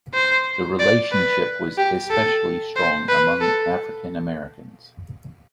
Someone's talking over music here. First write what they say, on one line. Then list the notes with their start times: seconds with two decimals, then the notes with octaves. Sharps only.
The relationship was especially strong among African-Americans.
0.14 C5
0.79 D5
1.12 B4
1.77 G4
2.10 A4
2.76 C5
3.08 B4
3.41 A4